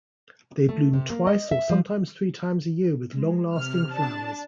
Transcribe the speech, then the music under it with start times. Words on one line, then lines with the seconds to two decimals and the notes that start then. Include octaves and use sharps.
They bloom twice or sometimes three times a year with long lasting flowers.
0.69 A3
0.93 C3
1.10 A#3
1.27 D#5
1.51 E5
1.70 F3
3.13 G#3
3.55 C3 F6
3.93 D4 A5